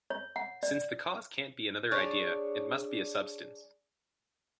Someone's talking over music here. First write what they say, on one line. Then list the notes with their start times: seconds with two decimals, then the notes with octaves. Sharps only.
Since the cause can't be another idea, it must be a substance.
0.10 C#5
0.36 F#5
0.63 D5
1.91 D4 G#4 C#5 D5